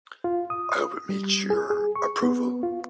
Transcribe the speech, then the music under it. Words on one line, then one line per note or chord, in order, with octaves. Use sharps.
I hope it meets your approval?
F4
D#6
G3
G#4
G#4
C#6
B3
F4